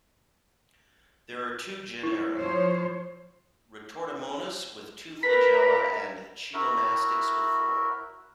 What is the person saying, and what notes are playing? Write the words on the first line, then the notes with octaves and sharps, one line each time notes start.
There are two genera: "Retortamonas" with two flagella, and "Chilomastix" with four.
E4
F3 C5 C#5
A#4 B4 B5 B6
E4 F#4 A#4 E5